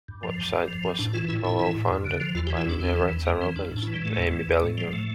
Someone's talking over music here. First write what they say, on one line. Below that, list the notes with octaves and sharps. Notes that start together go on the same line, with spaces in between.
The website was co-founded by Myretta Robens and Amy Bellinger.
G2
F3
G2
G2
F3
G2
A2 D4
E3 F4
A2 E4
A2 E4
E3
A2
F2
D3
F3
E2 F4
G4
E3
E4
E2 D4
E2 C4
E3
E2
F2 A#3
E3 C4
F2 D4
A2 D4
E4
E3
G3
A2 A3
E2
E3
E2
A2 A3
F3 G3
A2 A3